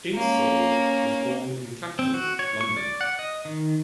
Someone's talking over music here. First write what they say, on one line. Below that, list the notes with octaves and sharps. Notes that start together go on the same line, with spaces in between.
Insole was born in Clapton, London.
A#3 C#4
C4
F#4
C#5
C#6
D5
F#5
D#5
D#3